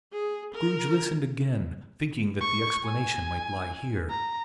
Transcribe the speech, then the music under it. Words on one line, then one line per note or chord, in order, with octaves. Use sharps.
Scrooge listened again, thinking that the explanation might lie here.
G#4
A#4
C#6
G#5
A#5